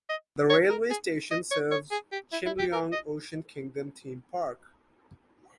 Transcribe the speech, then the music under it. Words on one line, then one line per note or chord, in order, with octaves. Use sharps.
The railway station serves the Chimelong Ocean Kingdom theme park.
D#5
C#5
A#4
G#4
D#5
C#5
C#5
G#4
G4
E4
E4
G4
A#4
D#5